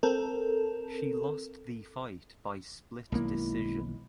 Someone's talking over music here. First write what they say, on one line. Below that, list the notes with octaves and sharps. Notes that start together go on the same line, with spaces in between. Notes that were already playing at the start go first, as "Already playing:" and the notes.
She lost the fight by split decision.
C4 A4 A#4
B1 D#3 G#3 A#3 E4